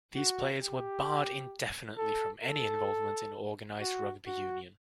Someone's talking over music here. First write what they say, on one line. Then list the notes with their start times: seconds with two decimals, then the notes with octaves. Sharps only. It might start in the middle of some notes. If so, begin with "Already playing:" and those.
These players were barred indefinitely from any involvement in organised rugby union.
0.15 F#4
0.60 G4
1.97 A4
2.43 A4
3.80 F#4
4.26 F#4